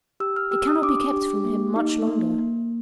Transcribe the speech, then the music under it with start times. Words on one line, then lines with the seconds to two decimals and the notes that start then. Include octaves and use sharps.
It cannot be kept from him much longer.
0.20 G4 E6
0.36 F6
0.51 G4 E6
0.67 D#6
0.82 D4 D6
1.13 G4
1.45 A#3
1.76 D#4
2.07 A#3
2.38 A#3